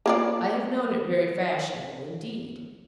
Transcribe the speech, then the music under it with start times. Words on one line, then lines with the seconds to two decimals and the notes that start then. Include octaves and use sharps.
I have known it very fashionable indeed.
0.06 A#3 F4 D5